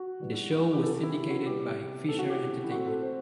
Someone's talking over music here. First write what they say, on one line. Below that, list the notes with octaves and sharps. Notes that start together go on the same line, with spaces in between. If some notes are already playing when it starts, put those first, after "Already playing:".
The show was syndicated by Fisher Entertainment.
Already playing: F#4
E3 G3 B3
E4
G4
C3 E3 B3 A4
G4
E4
E4
F#4
C3 G3 B3 G4
E3 A3 C4 A4
F#4
G4
E4
E3 A3 C4 F#4
A4
C5